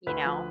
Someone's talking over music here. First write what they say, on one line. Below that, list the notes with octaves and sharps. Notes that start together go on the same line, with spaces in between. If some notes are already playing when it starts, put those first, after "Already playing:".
You know?
D2 B4
F3